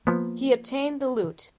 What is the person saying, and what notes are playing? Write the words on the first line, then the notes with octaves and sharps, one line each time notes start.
He obtained the Lieut.
F3 A#3 B3